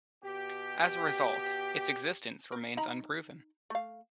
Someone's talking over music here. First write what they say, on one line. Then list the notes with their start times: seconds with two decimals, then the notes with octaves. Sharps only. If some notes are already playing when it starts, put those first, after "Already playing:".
As a result, its existence remains unproven.
0.23 B2 G4
2.52 A#4
2.77 D#4 A#5 B5
3.70 A3 F5